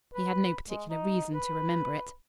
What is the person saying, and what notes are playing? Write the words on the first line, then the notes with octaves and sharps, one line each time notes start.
He had no particular reason to remember it.
B4
G#3
D#4
B4